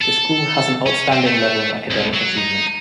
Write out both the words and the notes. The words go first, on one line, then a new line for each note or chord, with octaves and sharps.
The school has an outstanding level of academic achievement.
A4
C#4
C4
A3
C2
F#3
D#4